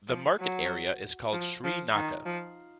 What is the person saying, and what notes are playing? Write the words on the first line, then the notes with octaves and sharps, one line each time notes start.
The market area is called "Sewri Naka".
F3
F#3
F3
F3
D#3
F3